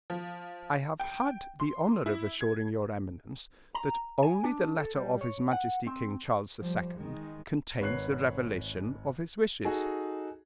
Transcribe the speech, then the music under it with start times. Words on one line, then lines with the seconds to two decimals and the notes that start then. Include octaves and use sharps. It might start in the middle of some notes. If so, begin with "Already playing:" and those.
"I have had the honor of assuring your eminence that only the letter of his majesty King Charles II. contains the revelation of his wishes."
0.10 F3
1.00 G5
1.60 C6
2.06 E4
2.41 G#6
3.75 A#5
4.22 G#5
4.44 D4
4.78 A4
4.95 G3
5.21 C#5
5.51 F#5
5.86 C4
6.60 F3 G3
6.97 D#3 G#3
7.80 G#1 B4 C#5 F#6 C7
9.65 D#4 F#4 G#4 A4